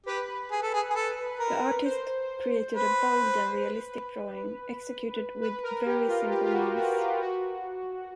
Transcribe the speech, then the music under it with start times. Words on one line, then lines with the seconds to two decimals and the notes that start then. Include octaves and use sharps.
The artist created a bold and realistic drawing, executed with very simple means.
0.06 G4 B4
0.51 G#4
0.62 A4
0.74 G#4
0.90 G#4
0.95 A4
1.40 A#4
1.84 C5
2.74 B4
3.63 B4
5.41 B4
5.63 A#4
5.86 G4
6.08 F4
6.31 G4
6.44 F4
6.52 F#4
6.75 F#4
6.97 F4
7.20 F#4